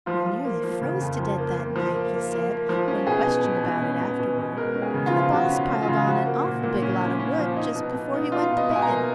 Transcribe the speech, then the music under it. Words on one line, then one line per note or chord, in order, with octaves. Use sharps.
"We nearly froze to death that night," he said, when questioned about it afterward, "and the boss piled on an awful big lot of wood just before he went to bed."
F3 F4
F3
A#3
F3
C#3
F2
F3
A#3
A#3
F3
A#3
A#3
A#3
A#3
F3
C#4
B2 G#4
B2
B2
B2
C#4
B2
B2
B2
G#3 A#4
C#4
G#4
C#3
F4
F3
C#3 F#4
C#4
C#4
F4
C#3
F3 F#4
A#3
A#2
A#2
C#4
C#4
C#4
F3
D#4
B2
B2
D#4
D#4 F4
B2
D#5
B2
G#5
A#5
A#3